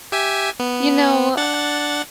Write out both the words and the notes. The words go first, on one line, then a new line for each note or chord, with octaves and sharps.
You know, uh,
G4 E5 G#5
B3
D4 F#5 A6